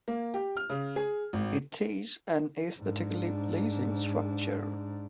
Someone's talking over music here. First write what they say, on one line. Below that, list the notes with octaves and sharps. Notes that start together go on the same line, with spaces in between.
It is an aesthetically pleasing structure.
A#3
G4
F6
C#3
G#4
G#1
G#2 D4